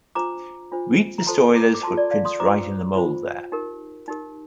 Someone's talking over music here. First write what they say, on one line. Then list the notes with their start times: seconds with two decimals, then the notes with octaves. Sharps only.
Read the story those footprints write in the mould there.
0.15 D4 F4 C5 A#5 D6
0.72 D4 F4 C5
1.18 A#5
1.27 F4 A4 C5 A5 C6
1.55 A#5 D6
1.74 D6
1.83 F4 A4 C5 A5 C6
1.97 D5
2.11 D5 F5
2.25 C6 D#6
2.40 F4 C5 A#5 D6
2.96 F4 C5
3.52 D#4 G4 A#4
4.08 D#4 G4 A#4